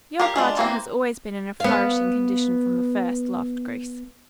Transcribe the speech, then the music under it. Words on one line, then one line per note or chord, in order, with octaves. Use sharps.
"Your garden has always been in a flourishing condition from the first," laughed Grace.
G4 A#4 F5
G#3 D4 F4
E3 A#3 C4
B3 F5